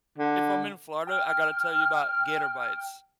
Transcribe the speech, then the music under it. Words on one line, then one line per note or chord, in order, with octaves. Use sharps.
if I'm in Florida, I gotta tell you about gator bites.
D3
G5 F6